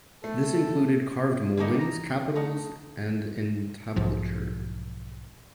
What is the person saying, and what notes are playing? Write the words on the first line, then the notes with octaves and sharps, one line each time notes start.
This included carved mouldings, capitals, and entablature.
A3 A4
D3 G3 A3 A#3 D#4
A#5
A3 D#4
B1 G#2 F3